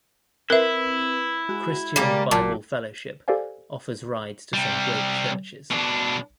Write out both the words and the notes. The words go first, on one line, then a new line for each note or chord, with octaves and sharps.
Christian Bible Fellowship offers rides to some great churches.
C4 E4 A#4 B4 E5
G#3 F#4
C#3 G3 G#3 A#3
A1 A#2 F#3 F#4 A5
G4 A4 C5 D5 F5 G#5
C3 G3
B2 D4